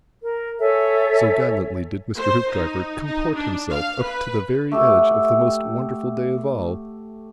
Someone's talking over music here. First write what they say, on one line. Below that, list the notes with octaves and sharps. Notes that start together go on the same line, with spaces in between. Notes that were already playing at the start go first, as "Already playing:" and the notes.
So gallantly did Mr. Hoopdriver comport himself up to the very edge of the Most Wonderful Day of all.
A#4
A4 C#5 E5 G#5
C5
D#4
D#4
D4
F5
B4
A3 G4 E5 F#5